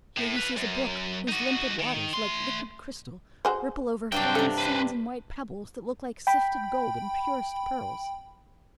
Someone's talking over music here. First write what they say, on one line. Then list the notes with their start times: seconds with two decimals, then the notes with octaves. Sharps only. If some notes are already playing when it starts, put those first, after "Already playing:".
Here he sees a brook whose limpid waters, like liquid crystal, ripple over fine sands and white pebbles that look like sifted gold and purest pearls.
0.17 A2
0.36 B4 F5
0.57 F#2
1.29 D#4 F#4
1.80 D#3
2.14 A3 C6
3.45 F#4 G#4 C5
4.12 C2 G2 F#3 D4 G5
4.35 C3 A4 A#4
4.58 B4 C5
6.27 G5 B5